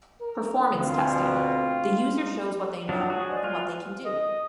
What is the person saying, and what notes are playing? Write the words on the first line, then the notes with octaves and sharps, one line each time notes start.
Performance testing - The user shows what they know and what they can do.
A#4
D2 B2 C4 F4
F3 F#3 D4 C#5 F#5 D#6
F#4 G#4
C5 D5 D#5
F4 G#5
D#5